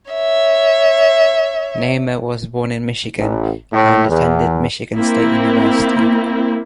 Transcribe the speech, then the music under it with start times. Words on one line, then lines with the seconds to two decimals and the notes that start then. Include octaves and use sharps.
Neeme was born in Michigan and attended Michigan State University.
0.11 C#5 E5
3.17 A1
3.72 A2
4.08 E2
4.96 A#3 C4 E4